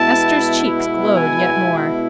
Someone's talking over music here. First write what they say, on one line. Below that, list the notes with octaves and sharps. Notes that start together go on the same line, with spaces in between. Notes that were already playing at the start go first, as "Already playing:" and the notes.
Ester's cheeks glowed yet more.
Already playing: B2 G#3 B3 E4 A5
G#5